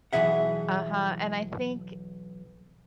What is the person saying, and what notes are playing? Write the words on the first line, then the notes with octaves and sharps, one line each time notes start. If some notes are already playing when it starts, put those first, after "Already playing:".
Uh-huh, and I think
B1 C#3 E3 G#4 E5 F#5